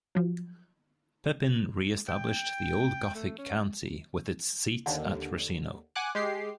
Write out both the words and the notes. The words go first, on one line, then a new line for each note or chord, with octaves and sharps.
Pepin reestablished the old Gothic county with its seat at Ruscino.
F3 F#3
G5
A3
C#4
D#2 D3
F#5 G#5 D6 F#6
G#3 G4 C7